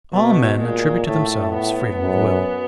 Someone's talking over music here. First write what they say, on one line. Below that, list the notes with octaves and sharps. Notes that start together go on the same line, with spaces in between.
All men attribute to themselves freedom of will.
B2 A3
A#2 G#3
A2 A3
B3
F#2